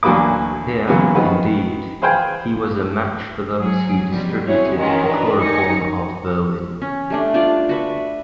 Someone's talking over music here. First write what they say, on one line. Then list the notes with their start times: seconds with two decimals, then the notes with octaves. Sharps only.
Here, indeed, he was a match for those who distributed the chloroform of Berlin.
0.03 D2 E3 F#3 A#3 B4 D6
0.87 F#2 C#3 E3 F#3 A#3 B3
1.15 D#3 F3 F#4 B4
2.02 G#4 B4 C5 F5 G5 G#5
3.59 F#3 G#4
4.10 B2 F3 G3
4.46 C4 E4 F#4 G#4 C#5
4.77 D#3 E3 G#3 C#4 F4
5.09 D4 A#4 B4
5.41 D#3 D#4 G#5 A#6 C#7
6.82 C#4
7.10 G3 A3 D4
7.34 G3 D4 F4 D5
7.69 F#4 B4 E5